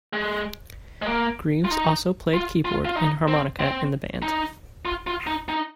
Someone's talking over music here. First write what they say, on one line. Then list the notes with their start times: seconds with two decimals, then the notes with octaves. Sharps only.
Greaves also played keyboard and harmonica in the band.
0.13 G#3
1.02 G#3
1.06 A#3
1.65 F4
1.71 D#4
2.34 F4
2.65 F4
2.85 F4
2.97 D#4
3.28 C4
3.59 C4
4.22 D#4
4.85 F4
5.07 F4
5.27 D#4
5.49 D#4